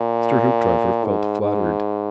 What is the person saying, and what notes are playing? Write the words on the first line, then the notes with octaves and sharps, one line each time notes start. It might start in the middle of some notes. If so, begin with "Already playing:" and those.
Mr. Hoopdriver felt flattered.
Already playing: A#2
G#2
G#2